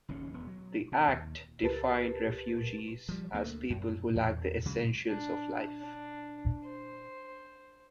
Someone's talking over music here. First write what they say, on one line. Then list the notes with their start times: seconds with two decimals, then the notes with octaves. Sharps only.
The act defined refugees as people who lack the essentials of life.
0.09 F#1 D#2 A2 C#4
0.33 E1 B3
0.47 F#3
0.92 C3
1.08 D#2
1.63 C#2 G4 A#4 B4 A5 A6
3.09 F3 G3
3.34 D2 A3 A#3
3.70 F#2
4.16 E2
4.65 D2 C#3 F#3 G#3
5.09 D4
5.81 D4
6.64 C5